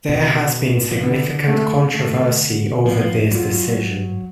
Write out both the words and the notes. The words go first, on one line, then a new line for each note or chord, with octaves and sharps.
There has been significant controversy over this decision.
B2
F3
D3 B3
A3
A3
F3 B3
F3
F#3 F4